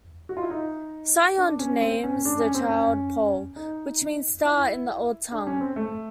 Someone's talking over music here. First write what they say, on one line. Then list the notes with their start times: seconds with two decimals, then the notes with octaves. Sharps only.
Sioned names the child Pol, which means "star" in the Old Tongue.
0.29 F#4
0.37 F4
0.43 E4
0.50 D#4
1.38 D4
1.59 C#4
1.81 C4
2.03 C#4
2.25 D4
2.40 C#4
2.54 C4
2.69 C#4
3.56 D#4
4.45 E4
5.32 D4
5.47 C#4
5.61 C4
5.76 A3